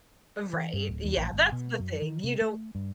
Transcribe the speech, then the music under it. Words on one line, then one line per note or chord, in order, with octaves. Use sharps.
Right, yeah, that's the thing, you don't
E3
G2
D1
D#2
A1
G1
B2
F#2
D#3
C3
A3
G2